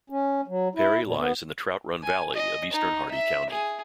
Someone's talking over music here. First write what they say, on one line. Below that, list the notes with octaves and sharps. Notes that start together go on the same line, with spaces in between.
Perry lies in the Trout Run Valley of eastern Hardy County.
C#4
F#3
E4
A#2
B3
G#5
D#5
D#4
E5
G#4